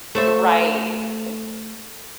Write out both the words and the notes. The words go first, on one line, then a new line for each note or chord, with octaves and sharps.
Right, eh
A3 C5 E5